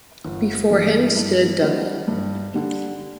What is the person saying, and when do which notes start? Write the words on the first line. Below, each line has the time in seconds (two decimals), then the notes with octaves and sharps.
Before him stood Dougal.
0.25 G1
0.70 G2 E3
1.16 G2
1.62 D3 G3
2.08 G2
2.54 D3 G3